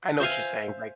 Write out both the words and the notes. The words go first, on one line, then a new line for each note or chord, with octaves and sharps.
I know what you're saying, like
C5 E5 F5 G#5